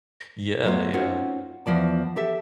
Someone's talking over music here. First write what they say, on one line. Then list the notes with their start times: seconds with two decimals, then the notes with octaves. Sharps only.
Yeah, yeah.
0.64 F#3 A3 B3 F4
0.93 C4 C#4 D#4 F4 F#4
1.66 E2 F3 D5 A5
2.16 G4 A4 E5